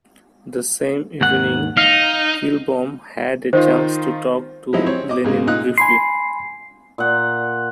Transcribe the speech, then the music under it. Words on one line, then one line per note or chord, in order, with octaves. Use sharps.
The same evening, Kilbom had a chance to talk to Lenin briefly.
D#2 G#2 F#5
D#4 F5
D#3 D#4 F4 C5
F3 F#3 G#3 C4 D#4 E4
C4 C#5
D#5 D6
G#2 C#3 G#3 A#3
A#2 D#4 D#6 F#6
G#5 B5 C6 C7
A#2 F#5